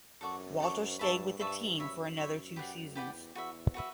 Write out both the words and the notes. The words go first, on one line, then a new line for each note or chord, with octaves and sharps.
Walter stayed with the team for another two seasons.
F#2 A4 D5 F#5 C#6
A4 D5 F#5 C#6
G2 B4 E5 A5 C#6
G2 B4 E5 A5 C#6
F#2 C#5 E5 B5
C#5 E5 B5
G4 B4 D5 F#5
E2 G4 B4 D5 F#5
E2 F#4 B4 E5
F#4 B4 E5